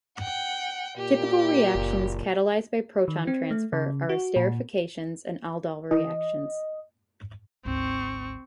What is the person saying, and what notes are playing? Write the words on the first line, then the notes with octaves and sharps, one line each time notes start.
Typical reactions catalyzed by proton transfer are esterfications and aldol reactions.
F#5 G5
A#2 G4
F#1
D#3
C4
A3
C#3
F#4
A#2
E3 D#5
G#1 D2 C4 C#6